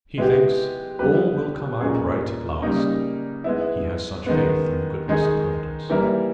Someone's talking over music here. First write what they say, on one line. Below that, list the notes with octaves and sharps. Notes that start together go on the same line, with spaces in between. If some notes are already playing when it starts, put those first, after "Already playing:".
He thinks "all will come out right at last;" he has such faith in the goodness of Providence.
G#3 B3 E4 G4
G3 B3 G4 B4
A#2 G#3 C#4 G#4
C#3 G3 A#3 D#4
G#3 B3 E4
D#3 G#3 B3
D#3 G#3 D#4 G#4
E3 G3 A#3 E4 A#4